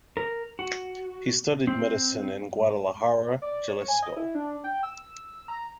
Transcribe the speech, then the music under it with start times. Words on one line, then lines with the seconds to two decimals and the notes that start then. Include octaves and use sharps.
He studied medicine in Guadalajara, Jalisco.
0.17 A#4
0.59 F#4
1.67 C4
3.42 D5
3.68 C#5
3.88 G#5
4.02 D#5
4.17 E4
4.35 D4
4.64 G5
4.83 E6
5.48 A#5